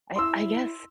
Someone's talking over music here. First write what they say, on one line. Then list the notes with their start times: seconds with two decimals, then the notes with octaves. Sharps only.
I I guess,
0.16 E4 C6 E6